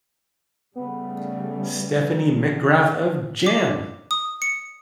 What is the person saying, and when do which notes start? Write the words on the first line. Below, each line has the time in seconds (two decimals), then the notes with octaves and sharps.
Stephanie McGrath of Jam!
0.75 C#3 G3 A3 B3
2.00 E3
2.33 C#3
3.46 D6
4.11 D#6
4.42 C#7